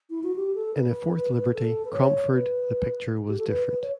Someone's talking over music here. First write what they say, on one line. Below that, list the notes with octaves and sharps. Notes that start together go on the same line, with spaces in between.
In a fourth liberty, Cromford, the picture was different.
E4
F#4
G4
A4
B4
A4
B4
C#5
B4
G4
A4
B4
B4
C#5